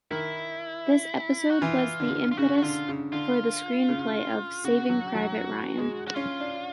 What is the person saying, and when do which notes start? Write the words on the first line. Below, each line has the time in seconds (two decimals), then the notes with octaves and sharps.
This episode was the impetus for the screenplay of "Saving Private Ryan".
0.11 D#3 E4
1.50 F#4
1.62 E3 F4
2.00 D3
2.32 F4
2.37 C#3 F#4
2.58 F#4
2.62 D3 F4
2.88 C#3
3.12 D3 F4
3.89 C#3
4.64 C#3 F#4
4.89 F#3
5.15 F#3
5.78 G#3
6.08 F#4
6.15 C#4 F4
6.40 D4